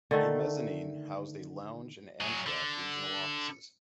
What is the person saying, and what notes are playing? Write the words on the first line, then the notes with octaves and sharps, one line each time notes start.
A mezzanine housed a lounge and Amtrak regional offices.
D3 D#3 A3
F#3 G#4
D3